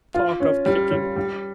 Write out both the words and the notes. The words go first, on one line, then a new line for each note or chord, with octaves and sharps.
Talk of kicking!
F4
C#4
G3
G3
G3